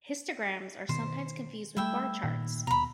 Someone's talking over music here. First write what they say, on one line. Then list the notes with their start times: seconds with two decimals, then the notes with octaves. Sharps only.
Histograms are sometimes confused with bar charts.
0.89 B2 D#3 B3 C5
1.77 G3 A3 E4 E5 G5
2.24 A#2 D#3
2.67 D#2 B2 A#5 B5